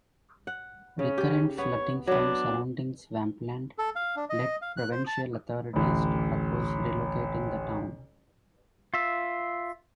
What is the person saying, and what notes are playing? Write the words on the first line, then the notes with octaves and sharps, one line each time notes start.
Recurrent flooding from surrounding swampland led provincial authorities to propose relocating the town.
F#5
C#3 C#4
G4
B3 C#5
F#3 B3 D4
A4
F5
D4
D#5
F5
F#6
C5
A5
A1 D2
F4 E5